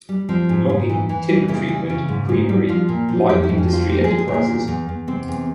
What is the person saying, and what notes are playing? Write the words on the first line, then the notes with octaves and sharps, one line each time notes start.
Logging, timber treatment, creamery, light industry enterprises.
G3
F3 C4
G#2
G#2
E3
E3
G3
C#3 E4
E3
C#3
G#2
G#2
G3
F3 F4
A#2
F3
F2 G4
E4
F2
C#4
F3 F4
A#2 G4
G#4
G#3
G#4
A#2
G#4
E2
E2
E2
C3 C4
E2